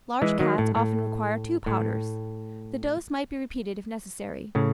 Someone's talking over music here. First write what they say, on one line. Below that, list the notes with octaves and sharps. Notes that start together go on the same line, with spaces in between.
Large cats often require two powders. The dose might be repeated if necessary.
E3 G#3
D#3 F#3
A2
A2
A2
A2 C#3